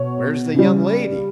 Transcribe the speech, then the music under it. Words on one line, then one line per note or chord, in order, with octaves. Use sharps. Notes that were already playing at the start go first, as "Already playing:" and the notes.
"Where's the young lady?"
Already playing: B2 C#5
C#3 G3